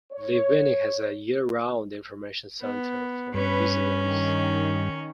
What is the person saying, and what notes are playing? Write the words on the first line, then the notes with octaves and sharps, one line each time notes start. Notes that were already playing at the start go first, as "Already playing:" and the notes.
Lee Vining has a year-round Information Center for visitors.
C#5
B3
G2 C#4 B4
D#3